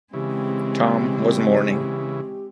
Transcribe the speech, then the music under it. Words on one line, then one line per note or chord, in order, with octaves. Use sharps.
Tom was mourning.
C#3 E3 G#3 C4 G4